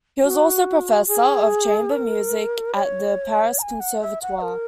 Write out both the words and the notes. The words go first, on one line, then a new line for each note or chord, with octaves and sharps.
He was also professor of Chamber Music at the Paris Conservatoire.
F#4
G#4
A#4
C#5
A#5
G#5
F#5
E5
F#5
A#4